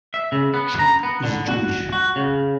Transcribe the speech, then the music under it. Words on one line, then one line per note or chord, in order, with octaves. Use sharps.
Chick is Jewish.
E5
C#3
B3
A#5
B3
D3
F#4
F#4
C#3